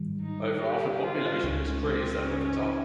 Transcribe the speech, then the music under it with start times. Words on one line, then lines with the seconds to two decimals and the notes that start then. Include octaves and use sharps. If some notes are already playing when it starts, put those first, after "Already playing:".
Over half the population list Cree as their mother tongue.
Already playing: G#2 D#3 G3
0.23 D#4
0.63 G4
1.04 F4
1.43 C#2 C#3 G#3 C#4 D#4
1.84 C4
2.23 C#4